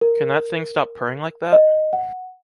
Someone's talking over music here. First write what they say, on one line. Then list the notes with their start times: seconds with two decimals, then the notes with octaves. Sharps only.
Can that thing stop purring like that?
0.01 A#4
1.52 D#5
1.93 F#5